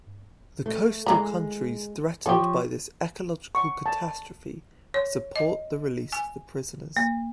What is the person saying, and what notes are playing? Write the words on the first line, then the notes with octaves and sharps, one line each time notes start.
The coastal countries threatened by this ecological catastrophe support the release of the prisoners.
A3
E3 G#3 A#5 B5
F3 G4 A4 C#5
C#6
A5
C#5
D#5
G#5
A#3